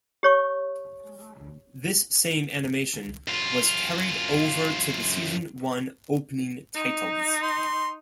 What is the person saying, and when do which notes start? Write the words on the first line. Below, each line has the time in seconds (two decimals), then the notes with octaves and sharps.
This same animation was carried over to the season one opening titles.
0.23 G4 C#5 C#6
3.28 F#2 F4
6.74 D#4
7.42 C6